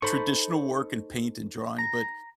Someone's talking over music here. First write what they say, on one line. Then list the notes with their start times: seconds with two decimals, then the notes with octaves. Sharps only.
traditional work and paint and drawing, but
0.02 D#4 A4 C5 B5 C#6
1.79 A#5